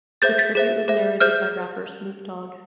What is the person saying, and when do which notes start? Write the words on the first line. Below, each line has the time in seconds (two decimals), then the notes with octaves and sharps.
The tribute was narrated by rapper Snoop Dogg.
0.22 G#4 C5 E5 G6 A6
0.38 A6 B6
0.55 G#4 C5 E5
0.88 G#4 C5 E5
1.20 G#4 C5 E5 F6 G6